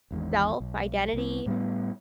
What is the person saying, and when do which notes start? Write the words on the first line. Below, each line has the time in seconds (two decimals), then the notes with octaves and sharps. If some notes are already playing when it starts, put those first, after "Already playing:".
self, identity,
0.11 G#1 E2 G#2
0.60 B1
1.13 C2 C4
1.46 A2 G3 A#3 B3